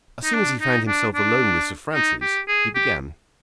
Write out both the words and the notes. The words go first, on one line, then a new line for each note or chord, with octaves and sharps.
As soon as he found himself alone with Sir Francis he began.
D#4
D4
D#4
D4
D4
D#4
G4
G#4
G4